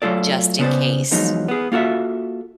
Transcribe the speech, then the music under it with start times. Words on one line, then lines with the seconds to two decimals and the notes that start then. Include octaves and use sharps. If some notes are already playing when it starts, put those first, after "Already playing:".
just in case
0.02 F#3 A3 F4 A4 D5
0.59 C#3 B3 A#4 C5 D5
1.11 E2 F3 F#3 G#3 D#4
1.48 B3 G#4
1.72 A#3 F4 F#4 A4 E5